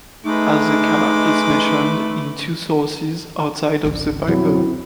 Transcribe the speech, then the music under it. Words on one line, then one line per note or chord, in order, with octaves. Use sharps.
Azekah is mentioned in two sources outside of the Bible.
G#3 A3 D#4 B4 D6
G#1 C#2 D3
F2 B2 F3 F#3 C4 E4